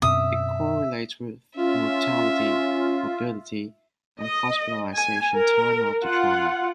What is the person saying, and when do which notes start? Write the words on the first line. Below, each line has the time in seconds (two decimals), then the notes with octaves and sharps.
It correlates with mortality, morbidity, and hospitalization time after trauma.
0.02 F#2 B2 C4 E5 D#6
1.57 C#4 F4 E5
4.22 D#5
4.95 G#5
5.34 A#4
6.03 F4 F#5